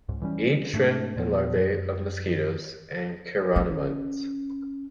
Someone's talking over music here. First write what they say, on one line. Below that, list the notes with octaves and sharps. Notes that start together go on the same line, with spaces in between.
Eat shrimp and larvae of mosquitoes and chironomids.
C#2 G#2
E3 G3 C#4
G#2 A3 B3 D4
E2 A#2 F3 B3
F#2
C#4